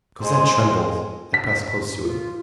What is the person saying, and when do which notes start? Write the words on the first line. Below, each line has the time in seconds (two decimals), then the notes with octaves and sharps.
Cosette trembled and pressed close to him.
0.21 G#3 C5
1.34 B6
2.03 F4